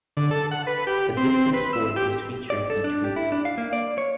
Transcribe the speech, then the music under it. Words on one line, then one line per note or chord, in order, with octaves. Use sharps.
A different sport was featured each week.
D3
A4
F#5
B4
G4
C4
B4
E6
G4
D5
A4
D4
G4
E4
D4
F5
A#3
D5
C#5